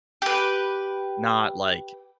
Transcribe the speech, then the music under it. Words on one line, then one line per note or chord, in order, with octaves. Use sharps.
not, like,
G4 B4